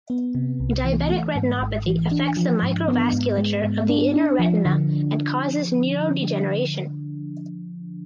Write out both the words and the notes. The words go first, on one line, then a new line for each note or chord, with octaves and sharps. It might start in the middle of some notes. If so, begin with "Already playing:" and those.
Diabetic retinopathy affects the microvasculature of the inner retina and causes neurodegeneration.
B3
C3
C2
E3
A3
G#2
G#1
E3
D4
F3
G#2
B3
G#2
G#3
G#2
D4
D4
F3
D3